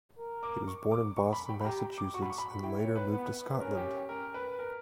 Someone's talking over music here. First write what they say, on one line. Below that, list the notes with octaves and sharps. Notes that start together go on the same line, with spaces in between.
He was born in Boston, Massachusetts and later moved to Scotland.
A#4
D6
C#6
D6
C#6
B5
G5
B5
G4 A#5
D6
F#4 C#6
B5
C#6
B5
E4 G5
C#5
B4
B3
C#4 A#4
G4
A#4
B4
A#4